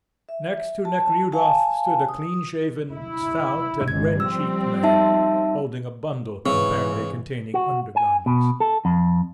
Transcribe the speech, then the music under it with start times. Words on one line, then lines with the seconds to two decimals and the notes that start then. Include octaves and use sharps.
Next to Nekhludoff stood a clean-shaven, stout, and red-cheeked man, holding a bundle, apparently containing under-garments.
0.29 E5
0.85 A5
1.32 F5 G#5 A5
2.09 D#6
2.93 E4
3.88 G#1 C#2 G#6
4.20 F3 G3 C4 E6
4.83 D#4 E5 A5
6.46 G#2 C#3 E3 C4
7.54 F#4
7.96 G#5
8.26 B2
8.60 A4
8.85 F2